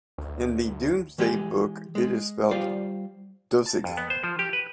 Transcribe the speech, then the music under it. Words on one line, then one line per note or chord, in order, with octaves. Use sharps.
In the Domesday Book it is spelt Dochesig.
D2
E3 G#3 G4 G#4
G#3
G3 F4 C5 D5 F5
A5
F2
B3
C5
F3
G4
B4